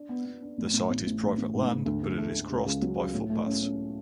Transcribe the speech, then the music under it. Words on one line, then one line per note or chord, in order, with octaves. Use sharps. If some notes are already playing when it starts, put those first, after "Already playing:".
The site is private land but it is crossed by footpaths.
Already playing: D4
B3
B3
D4
A1
A1
A1
A1
A1
A1
G#2
G#2
D2
D2
A3
A3
C#2
C#2
F#3
C#2
A2
A3
C#4
C#4